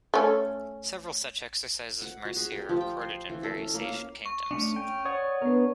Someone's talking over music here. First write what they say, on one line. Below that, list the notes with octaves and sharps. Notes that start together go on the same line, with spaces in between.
Several such exercises of mercy are recorded in various Asian kingdoms.
A3 C#4
F#5
F#4
G#4
G4
F3
G5
C6
E3
A4
C#4
A#3
F5
C#6
A3 C#4 D4
C#4 G5
C#5 D5 F#5 D#6
B3 D4 A#4